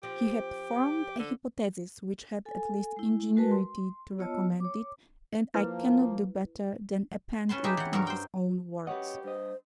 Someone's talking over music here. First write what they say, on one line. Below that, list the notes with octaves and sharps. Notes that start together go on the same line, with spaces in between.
He had formed a hypothesis which had at least ingenuity to recommend it, and I cannot do better than append it in his own words.
F3 C4 G4
D3
A4 G#5
G#3 E4
G#3 F#4 A#4 B4 A5
C6
B3 F4 C#5 D#5 A5 E6
C#5 D6
F3 A#3 E4 B4
C#4 B4 A5 C6
D#4 G4 G#4 B4 E5
E3 F#5
G2 F#4 A#4
C5 G5
F#2 G4 B4 C#5 D#5 F#5
G2 C5 D#5